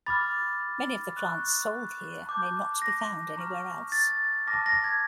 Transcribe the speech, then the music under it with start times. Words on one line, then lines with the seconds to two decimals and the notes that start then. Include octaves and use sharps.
Many of the plants sold here may not be found anywhere else.
0.06 B5 D6 F6 A6
1.17 C#6 F#6
2.27 A5 D6 G6
2.82 A#6
3.37 A#5 C#6 F6
3.92 A6
4.47 A5 D6 F6 A#6
4.66 A#6
4.84 G#6